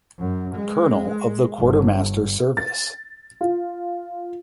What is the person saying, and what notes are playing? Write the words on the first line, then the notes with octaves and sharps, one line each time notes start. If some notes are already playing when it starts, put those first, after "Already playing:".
Colonel of the quartermaster service.
F#2
G#3
G1
A6
F4